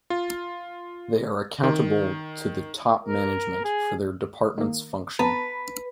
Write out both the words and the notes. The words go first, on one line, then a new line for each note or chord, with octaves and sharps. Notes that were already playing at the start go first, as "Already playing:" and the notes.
They are accountable to the top management for their department's function.
F4
D#3
A#4
G#4
D#3 A#3
B3 B4 A5 A#5